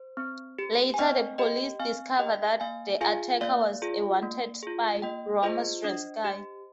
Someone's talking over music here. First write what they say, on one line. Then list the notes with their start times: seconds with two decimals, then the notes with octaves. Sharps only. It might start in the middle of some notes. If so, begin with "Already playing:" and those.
Later the police discover that the attacker was a wanted spy: Romo Stransky.
Already playing: C5
0.17 C4
0.59 G4
0.94 G#5
0.98 C4 D#5 G5
1.38 G4 D#5 G5
1.79 C4 F5 G#5
2.19 G4 D#5 G5
2.60 A#3 F5 G#5
3.01 F4 G#4 F5 G#5
3.41 A#3 D5 F5
3.82 F4 G#4
4.23 A#3
4.63 F4 G#4
5.02 A#3 D#5 G5
5.43 F4 G#4 C5 D#5
5.84 D4
6.25 G4